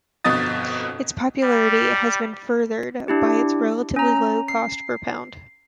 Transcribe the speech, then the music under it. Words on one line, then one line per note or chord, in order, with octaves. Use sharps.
Its popularity has been furthered by its relatively low cost per pound.
G1 F2 B2 D#5 D#6 A6
G3
D4 E4 G4
C#4 A#5
C7